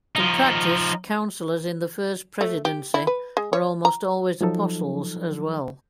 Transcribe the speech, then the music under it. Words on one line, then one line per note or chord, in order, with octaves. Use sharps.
In practice, counselors in the First Presidency are almost always apostles as well.
F3 D#4
A3
G4
E4
B4
G#3
C#5
A#5
F3 F#3 D#4 A4